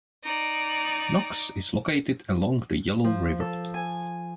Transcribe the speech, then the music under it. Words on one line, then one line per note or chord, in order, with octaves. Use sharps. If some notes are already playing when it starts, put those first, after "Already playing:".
Knox is located along the Yellow River.
D#4 D5
F3
A4
G#5